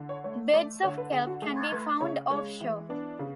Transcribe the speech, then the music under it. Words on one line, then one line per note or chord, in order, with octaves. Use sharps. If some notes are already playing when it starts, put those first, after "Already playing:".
Beds of kelp can be found offshore.
Already playing: D3
C#5
A3 C#5
A3 D5
D3 C#5
B4
D3 G#4
F#4
A3 G#4
A3 B4
C#3 C#5
G#3 C#5
E3 E4
B3 D4
C#3